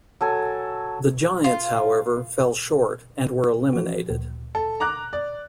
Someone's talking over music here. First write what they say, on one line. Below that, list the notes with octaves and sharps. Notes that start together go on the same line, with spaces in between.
The Giants, however, fell short, and were eliminated.
F#3 A4 G#5
F4
E3 F3 F#4
D2 A#2
A4
A#5 D6 F#6
D5